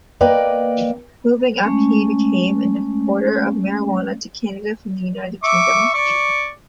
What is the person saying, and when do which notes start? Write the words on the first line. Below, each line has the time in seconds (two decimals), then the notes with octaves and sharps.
Moving up he became an importer of marijuana to Canada from the United Kingdom.
0.21 A#3 B4 D5 D#5 G5
1.63 G#3 A3 C#4
5.43 E5 C#6 D6
5.94 D5 C#6